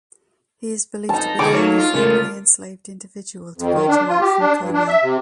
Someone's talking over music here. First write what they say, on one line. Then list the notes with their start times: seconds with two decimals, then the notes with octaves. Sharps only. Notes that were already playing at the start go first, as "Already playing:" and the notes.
He is believed to be the only formerly enslaved individual to graduate from Cornell.
1.09 F2 D#4 A5
1.39 B2 D3 D#4 G#4 D6
1.52 F#3 A3 A#3 D#4 C#5
1.78 F4
1.95 C#3 A3 A#4
3.57 F2
3.73 D#3
3.89 D4
4.09 F4
4.21 G4
4.40 D4
4.59 G2
4.73 D4
4.88 E5
5.03 C3